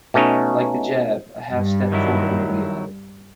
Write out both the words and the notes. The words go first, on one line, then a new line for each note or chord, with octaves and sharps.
Like the jab, a half-step forward may be added.
B2 A3 C#4 D#4
G2
D#3 F#3 E4